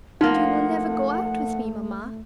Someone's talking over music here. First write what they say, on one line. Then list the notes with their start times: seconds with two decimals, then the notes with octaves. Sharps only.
"And you will never go out with me, mamma?"
0.21 F3 A3 A#3 D#4 F#5